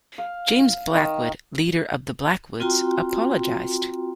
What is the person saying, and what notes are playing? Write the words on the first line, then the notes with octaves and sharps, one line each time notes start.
James Blackwood, leader of the Blackwoods, apologized.
F5
D#3
C4 F4 F#4 G5 A#5 C6